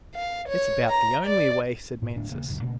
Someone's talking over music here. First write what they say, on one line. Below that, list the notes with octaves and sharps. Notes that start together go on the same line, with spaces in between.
"It's about the only way," said Mansus.
F5
C#5
A#5
D5
A2
D1 A2 D4
D#1 C#3 A#3
C#2 F#2 B2 D3
A#2 C#3 A3 A#3